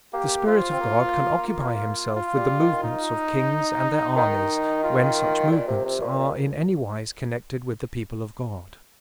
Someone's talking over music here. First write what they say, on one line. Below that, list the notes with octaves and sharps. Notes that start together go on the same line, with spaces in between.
The Spirit of God can occupy himself with the movements of "kings and their armies," when such movements are in anywise connected with the people of God.
A#3 G4
F3 F4
C4
A#3
F4
F4
G3
D#3
D#4
D#3 D#4
F4
A#2
C3
C3
A#2
A#2